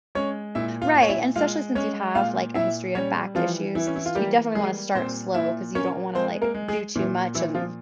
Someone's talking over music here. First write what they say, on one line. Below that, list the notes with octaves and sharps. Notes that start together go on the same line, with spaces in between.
Right. And especially since you have, like, a history of back issues, s you definitely wanna start slow cause you don't wanna, like, do too much and
G#3 C#4 C#5
A#2 E4 E5
F4 F5
A#2
C#5
E4 E5
G#3 F4 F5
G#3 C#4 C#5
A#2 F4 F5
A#2 E4 E5
G3 C#4 C#5
E3 F3 F4
E3 E4
C#4
E4
F4
G3 A#3 G4
G3 G#3 G#4
A#2 C4 C5
A#2 E4 E5
A#3 C#4 C#5
G#3 C4 C5
A#3 A#4
G#3
G#3 G#4
A#2 E3 E4
A#2 E3 E4
F3 F4